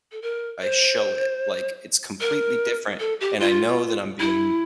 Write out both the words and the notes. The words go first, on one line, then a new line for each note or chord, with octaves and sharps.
I show it, like, it's completely different, and I know that I'm being
A4
A#4
C5
A#4
A4
G4
F4
E4